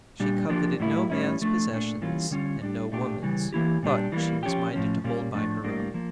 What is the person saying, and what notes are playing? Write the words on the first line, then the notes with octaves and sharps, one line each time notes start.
She coveted no man's possessions,--and no woman's; but she was minded to hold by her own.
A#2 G3 D4 G4
F3 A#3 D4 G4
A2 G3 A#3 E4
A2 G3 C#4 E4
F3 A3 D4
A#2 A3 D4
E3 G3 A#3 C#4 F4
D3 G3 C#4 F4
G3 D4 G4
A#2 A3 D4 G4
C#3 E3 G3
E3 A#3 E4 G4
A#2 G3 D4 G4
E3 G3 A#3
F3 C#4 G4
A2 F3 C#4
A#2 G3 A#3 C#4
A2 F3 A3 D4
A2 G3 A#3 D4
F3 A#3